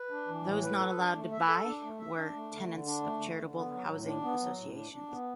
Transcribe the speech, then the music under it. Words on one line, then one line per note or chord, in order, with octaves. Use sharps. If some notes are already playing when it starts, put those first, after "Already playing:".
Those not allowed to buy were tenants of charitable housing associations.
Already playing: B4
D4
E3
A2
B4
A4
D4
A3
E5
A4
D4
A3
E5
D4
A3
D3
D3
D4
A3
D3
D3
B3
F#3
A2
D4
B3
F#3
A2
D4
D4
B3